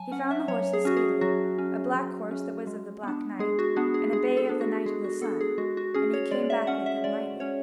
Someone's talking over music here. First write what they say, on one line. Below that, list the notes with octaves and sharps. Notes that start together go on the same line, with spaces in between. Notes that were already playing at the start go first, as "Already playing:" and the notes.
He found the horses speedily, a black horse that was of the Black Knight, and a bay of the Knight of the Sun, and he came back with them lightly.
Already playing: F#3 G#5 A5
C#4 F#5
E5
F#3 C#5
G#4
C#4 F#4
G#4
F#3 F#4
C#4
F#3
C#4
G#3
B3 D4
G#3 G#4
F#4
B3 D4 G#4
G#4
G#3 G#4
A4
B3 D4
F#4
G#3 G#4
F#4
B3 D4 A4
G#4
G#3 F#4
F#4
C#4 G#4
C#5
G#3 D5
E5
C#4 F#5
E5
G#3 D5
C#4 C#5